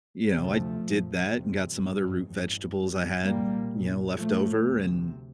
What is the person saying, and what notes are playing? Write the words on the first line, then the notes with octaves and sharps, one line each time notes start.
you know, I did that and got some other root vegetables I had, you know, leftover and
D2 C3 F3 A3
A#1 A#2
G1 F2 C3
A1 G2
A1 G2
A1 G2
C2 A#2 G3 A#3
C2 A#2
A#1 A2 F3 A3
D2 C3